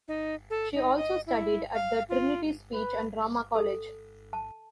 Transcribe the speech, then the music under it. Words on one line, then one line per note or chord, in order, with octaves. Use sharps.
She also studied at the Trinity Speech and Drama College.
D#4
A4
D#4
D#5
E4
F5
F4
B4
A4
A5